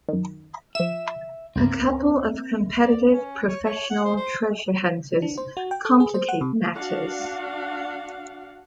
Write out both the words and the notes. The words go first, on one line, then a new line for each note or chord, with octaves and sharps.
A couple of competitive professional treasure hunters complicate matters.
F#2 D#3
F3 E5 E7
C#2 G2 C4 A#4
D5
C#4
C#5
C#5
F#5
C5
C5
D4
C5
F#4
G5
A4
G#4
C5
F#5
C3
D4 F#4 F5 F#5